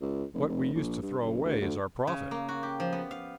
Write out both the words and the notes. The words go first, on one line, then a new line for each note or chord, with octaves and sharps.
What we used to throw away is our profit.
C#2
F1
F1
A#1
G2
F#1
D2
D2
C#3
A#3
F#4
G4
F3
B3
F5